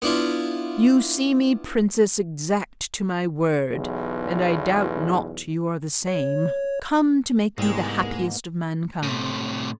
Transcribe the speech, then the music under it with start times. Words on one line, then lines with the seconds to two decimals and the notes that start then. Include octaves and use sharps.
"You see me, princess, exact to my word; and I doubt not you are the same, come to make me the happiest of mankind."
0.02 B3 D4 E4 F4
3.70 B1 E2
6.07 C#5
7.58 C2 G#2 G#3 A#3 B3 G#4 A#4 G5
9.03 A2 C3